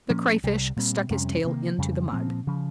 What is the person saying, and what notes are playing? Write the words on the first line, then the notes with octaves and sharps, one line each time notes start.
The Crayfish stuck his tail into the mud.
A#2 F3 A#3 C#4
C2 C3 G3
A#2 G3 C4
F2 C3 G3 C#4
C3 D#3 A#3
F2 C#3 G3
A#2 F3 C4
C#3 F3